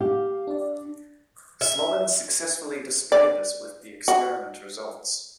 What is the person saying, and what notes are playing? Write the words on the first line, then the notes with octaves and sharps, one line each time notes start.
Slobin successfully displayed this with the experiment results.
G4 F5
D4 D5
E5
D5
F#4